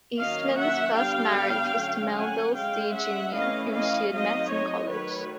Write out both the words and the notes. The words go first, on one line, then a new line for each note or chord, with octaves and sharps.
Eastman's first marriage was to Melville See Junior whom she had met in college.
D#3 F#3 A#3 C#4 D#5 F5
E5 F#5
D3 G3 B3 D4 F5 G5
D3 F#3 A3 C#4
F#5 G#5
G#3 C#4 F5 G5
E5 F#5
E3 A3 C#4 D#5 F5
D#5 F5
F#3 A3 C4 D#4 D#5 F5
C#5 D#5
D#3 F#3 A3 B4 C#5